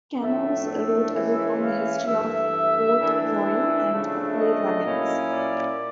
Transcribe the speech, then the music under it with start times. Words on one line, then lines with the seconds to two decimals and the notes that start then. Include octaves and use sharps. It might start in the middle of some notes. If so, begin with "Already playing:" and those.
Kamoze wrote a book on the history of Port Royal, and a play, "Runnings".
0.21 A2 F3 A3 D4 E5
0.68 E5
1.14 E3 G#3 C#4 E4
1.60 F5
2.06 G2 E3 A3 E5
2.99 E3 A3 D4
3.45 E5
3.91 C#3 F3 A3 D4
4.37 D#5
4.83 A#2 F#3 A#3 C#4 E4
5.30 D5